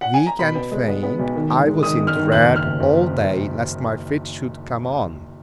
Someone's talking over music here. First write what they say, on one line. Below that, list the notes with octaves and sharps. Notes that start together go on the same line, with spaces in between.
Weak and faint, I was in dread all day lest my fit should come on.
F#5
G#5
A#5
B2 B5
B3
G#3
B3
B3
B1
D#3
G#2
G#3
D#3 D#6
G#3
F6
D#3
F#1 F#6
F#1
F6
F#1
F#1